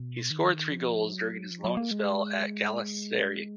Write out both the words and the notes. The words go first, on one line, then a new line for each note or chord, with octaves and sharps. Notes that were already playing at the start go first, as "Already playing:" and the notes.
He scored three goals during his loan spell at Galatasaray.
Already playing: B2
D#3
F3
F#3
F3
F#3
A#3
G#3